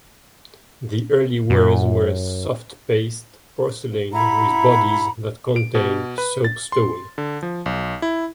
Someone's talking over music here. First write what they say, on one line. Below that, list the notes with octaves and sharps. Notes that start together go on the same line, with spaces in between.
The early wares were soft-paste porcelain with bodies that contained soapstone.
F#2
E4 F#5 A#5 B5
D7
B2
B4
A6
C6
D3
F3
B1
E4